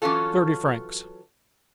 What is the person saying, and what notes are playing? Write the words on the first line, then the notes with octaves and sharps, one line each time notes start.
"Thirty francs."
E3 F#3 C#4 F4 A4